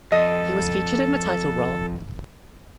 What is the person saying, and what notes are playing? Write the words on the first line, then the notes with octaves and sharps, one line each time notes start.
He was featured in the title role.
F2 A4 D#5